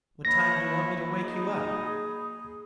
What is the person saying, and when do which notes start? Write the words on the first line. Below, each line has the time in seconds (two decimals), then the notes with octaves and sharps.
"What time d'you want me to wake you up?"
0.25 A#3 E4 B4 C#5 B5 A#6
1.21 D#4 G#4